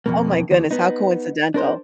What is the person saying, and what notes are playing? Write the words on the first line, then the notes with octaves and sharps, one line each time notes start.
Oh my goodness, how coincidental.
F2 B2 A#3
D#2
B3 D#4
D4 A#4 C5